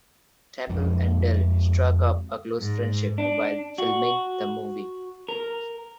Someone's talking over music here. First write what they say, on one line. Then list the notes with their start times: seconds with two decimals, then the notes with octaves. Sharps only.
Temple and Dell struck up a close friendship while filming the movie.
0.69 F2 F3 G#3
2.59 G#2
3.18 D4
3.78 F#4
5.29 A#4